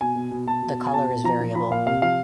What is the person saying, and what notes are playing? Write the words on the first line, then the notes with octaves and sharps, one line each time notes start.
The colour is variable.
B2 G#5
B2
B2
B2 A5
B2
B2
G#5
B2 A5
B2
F3 A#5
F3
F3 B5
A#2 F5
C3 F5
F3 F5